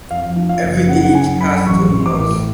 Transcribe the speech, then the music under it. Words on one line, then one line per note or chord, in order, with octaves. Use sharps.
Every age has its own mores.
F2 F5
F3
F5
F#1
C#3 F#5
F#5
F#2 G#5
F#2 B5
A1 C#6
A1
D6
A2